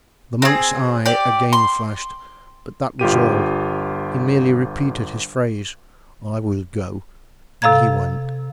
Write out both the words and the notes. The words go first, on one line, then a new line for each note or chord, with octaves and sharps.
The monk's eye again flashed, but that was all; he merely repeated his phrase, "I will go,"--and he went.
C4 G#4
G4 D5
C6
G1 F4 G4 D#7
C3 A4 F5 A#5 G#6